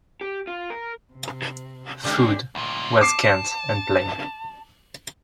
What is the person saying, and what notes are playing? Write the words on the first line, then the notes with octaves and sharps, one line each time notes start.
Food was scant and plain.
G4
F4
A#4
C3
C#2 D3 D#3 G4 G#4
D2 A#2
A5 D6 C7